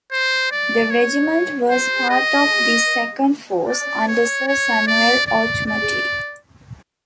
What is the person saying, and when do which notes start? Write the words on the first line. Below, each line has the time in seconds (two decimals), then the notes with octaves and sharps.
The regiment was part of this second force, under Sir Samuel Auchmuty.
0.12 C5
0.51 D5
0.90 C#5
1.70 C5
2.10 D#5
3.69 D5
4.08 C#5
4.48 C#5
4.87 D5
5.27 D5
5.67 D5